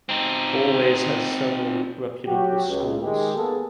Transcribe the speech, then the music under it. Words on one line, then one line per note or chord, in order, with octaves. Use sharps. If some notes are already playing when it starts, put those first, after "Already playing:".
Fourways has several reputable schools.
C4 D#4
F#3 F#4 G4
C#2
D#3 G#3 G4
A#3 B3 G#4 A4